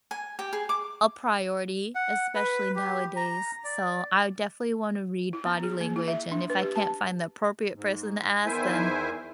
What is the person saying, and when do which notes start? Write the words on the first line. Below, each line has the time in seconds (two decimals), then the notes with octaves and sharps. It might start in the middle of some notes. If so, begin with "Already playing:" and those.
a priority, especially nowadays. So, I definitely wanna read body language, and if I can't find the appropriate person to ask, then
0.11 G#5
0.39 G4
0.53 G#4
0.69 D6
1.95 F#5
2.35 B4
2.76 G4
3.16 A#5
3.64 D5
5.33 E4
5.46 B3
5.63 G#4
5.81 A#3
5.96 E4
6.08 E5
6.32 D4
6.50 B4
6.62 G4
6.76 A5
7.75 G#2
8.46 E2 D#3 E4 C5 E5 G#5